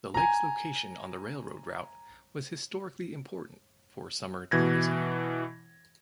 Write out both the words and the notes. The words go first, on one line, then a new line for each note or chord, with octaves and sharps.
The lake’s location on the railroad route was historically important for summer tourism.
G#5 A#5
B2 E3 G#6 A#6